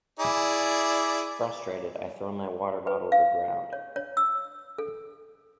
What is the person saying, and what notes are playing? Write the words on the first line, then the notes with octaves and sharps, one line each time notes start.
Frustrated, I throw my water bottle to the ground.
E4 G#4 D5
B4
F5
C#5
C#5
E6
A4